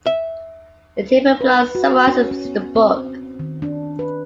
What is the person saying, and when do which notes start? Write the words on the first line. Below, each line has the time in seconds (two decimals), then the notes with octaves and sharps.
The table below summarizes the book.
0.06 E5
1.41 B4
1.75 F#4
2.07 C#4
2.31 C#4
2.45 B3
2.75 C4
3.39 D#3
3.62 D4
3.99 B4